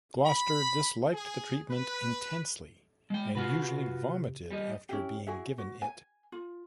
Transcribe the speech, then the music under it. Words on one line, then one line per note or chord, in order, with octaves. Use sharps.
Gloucester disliked the treatment intensely, and usually vomited after being given it.
B5
G#4
B4
G#3 G5
C3 F4 F#4 B4
G3 G4 D#5
C#4 E4 G4
E4 F#4 G#4 E5
F#4
G#5
F4